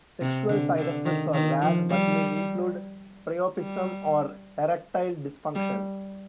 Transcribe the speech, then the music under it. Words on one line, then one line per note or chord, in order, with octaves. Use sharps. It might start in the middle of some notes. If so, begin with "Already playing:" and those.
Sexual side effects are rare, but may include priapism or erectile dysfunction.
C3
D3
D3
D#3
D#3
F3
G3
G3
G3